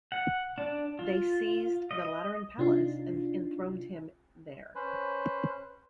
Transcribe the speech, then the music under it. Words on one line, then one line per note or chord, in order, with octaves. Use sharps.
They seized the Lateran Palace and enthroned him there.
F#5
D4
F4
D#5
C3 D4 D#4 F4
C#4 B4 C5